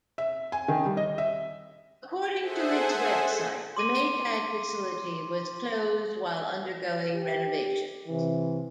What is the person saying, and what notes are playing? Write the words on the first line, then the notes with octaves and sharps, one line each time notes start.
According to its website, the Maytag facility was closed while undergoing renovations.
E5
G#5
D#3
G3
D#5
E5
G#4 A4 C5 E5 F#5 G#5
C6 D6 D#7
G4
C3 E3